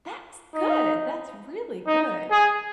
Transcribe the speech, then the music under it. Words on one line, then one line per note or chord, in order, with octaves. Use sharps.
That's good! That's really good.
D#4
D#4
G#4